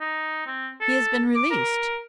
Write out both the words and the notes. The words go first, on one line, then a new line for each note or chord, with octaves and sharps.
"He has been released."
D#4
C4
A4
D6
A#4